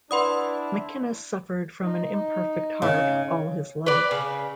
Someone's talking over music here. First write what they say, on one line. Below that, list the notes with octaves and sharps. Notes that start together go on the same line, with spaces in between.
McInnes suffered from an imperfect heart all his life.
D4 E4 B4 D5 F#5 B5 C6 D#6
D#4
C#3
B4 D5
C#3